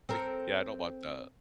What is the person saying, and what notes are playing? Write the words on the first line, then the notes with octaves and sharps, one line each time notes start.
Ugh, yeah, I don't want that.
C4 A4 A#4